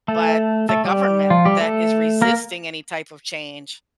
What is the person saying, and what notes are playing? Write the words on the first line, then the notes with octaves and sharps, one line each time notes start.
but the government that is resisting any type of change.
A3 A4
A3 A4
G3 G4
F3 F4
G3 G4
A3 A4
A#3 A#4